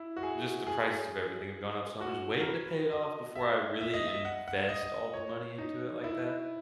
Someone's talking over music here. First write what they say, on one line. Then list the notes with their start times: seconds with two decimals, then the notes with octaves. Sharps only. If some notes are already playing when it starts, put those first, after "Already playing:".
just the prices of everything have gone up, so I'm just waiting to pay it off before I really invest all the money into it like that,
Already playing: E4
0.16 F#4
0.23 G#4
0.67 G#4
2.01 F#4
2.41 A#4
2.47 B4
2.91 D#5
3.35 E5
3.81 E5
3.94 D#5
4.08 E5
4.25 F#5
4.48 F#5
4.69 D#5
5.14 C#5
5.58 D#4
6.04 E4